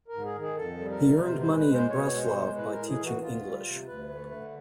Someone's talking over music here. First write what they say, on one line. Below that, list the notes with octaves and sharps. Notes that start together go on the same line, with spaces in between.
He earned money in Breslau by teaching English.
A#4
G#2
G#4
D#3
G#4
F2 A4
G3
A#4
C3
B2 C5
C5
G#3
B4
G#3
C5
B2 C#5
G#3
C5
G#3
A2 B4
A#4
A2
G#4
E3
F#4
D2 F4
G3
C3
D2 B4
A3
D3